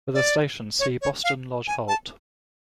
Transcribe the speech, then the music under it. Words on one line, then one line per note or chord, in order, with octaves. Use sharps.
For the station see Boston Lodge Halt.
D5
C#5
C#5
F5
G#5
A5